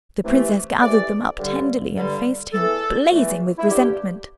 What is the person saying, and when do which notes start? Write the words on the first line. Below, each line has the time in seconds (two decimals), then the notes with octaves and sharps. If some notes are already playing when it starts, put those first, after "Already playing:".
The princess gathered them up tenderly and faced him, blazing with resentment.
0.23 C3 E3 A3
0.82 C3 E3 A3 D5
1.38 G2 D3 G3
1.96 G2 D3 G3
2.53 E2 E3 A3 A4
3.10 E2 E3 A3
3.58 E4
3.67 G2 D3 G3 G4